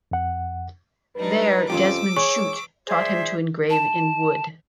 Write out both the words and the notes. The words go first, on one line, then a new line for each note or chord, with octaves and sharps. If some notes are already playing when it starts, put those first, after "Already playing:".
There Desmond Chute taught him to engrave in wood.
F2 F#5
G3 D4 D#4 B4
F2 C#4 F4 G4 D6 E6
G#4 C#5 C#6
G#4 C5 D5 E5
A5